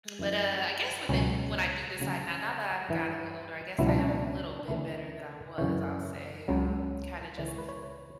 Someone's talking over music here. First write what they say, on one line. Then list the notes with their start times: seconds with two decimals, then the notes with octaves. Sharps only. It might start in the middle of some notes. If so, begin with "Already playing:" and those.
Mm, but, uh, I guess when they w when I do decide now now that I've gotten a little older, I guess I am a little bit better than I was, I'll say, um, kinda just
0.19 F#2 E3
1.09 C#2 B2 F#3 C#4
1.99 D2 C#3 F#3
2.89 G2 E3
3.79 C#2 B2 F#3 E4
3.89 D4
3.99 C#4
4.09 D4
4.59 D4
4.68 D2 C#3 E3 E4
5.58 F#2 C#3 E3 C#5
6.48 C#2 C#3 F#3
7.38 C#2 C#3 E3 D5
7.48 C#5
7.58 B4
7.69 C#5
7.83 C#5